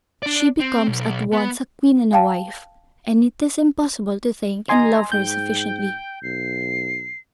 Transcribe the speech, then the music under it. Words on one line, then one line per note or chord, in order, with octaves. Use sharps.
She becomes at once a queen and a wife, and it is impossible to thank and love her sufficiently.
D4 D5
C4
B1
B3
F5 G5 A5
D#2 D#5 G#5 A#5 C6
G#2 G5 G6
B1 C7